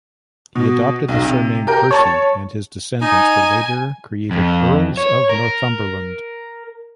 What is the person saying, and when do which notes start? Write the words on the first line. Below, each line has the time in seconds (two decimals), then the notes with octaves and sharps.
He adopted the surname Percy and his descendants were later created Earls of Northumberland.
0.55 B2
1.09 B1
1.22 C3
1.67 G4 A#4 G5
1.91 C#5 A5 A6
3.02 D#4 G#5
4.31 F2
4.97 C#5
5.29 A#4